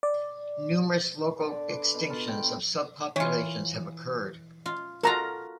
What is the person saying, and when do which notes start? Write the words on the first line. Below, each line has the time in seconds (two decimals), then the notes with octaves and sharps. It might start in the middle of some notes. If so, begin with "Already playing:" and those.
Numerous local extinctions of subpopulations have occurred.
0.03 D5
1.40 D3
1.70 B4 C6 D6
1.94 B2
2.10 F4 A5 A#5 D6
2.27 B2 G5 B5 C6
3.16 E3 F4 C#5
4.66 F4
5.03 F4 F#4 A4 A#4 A#5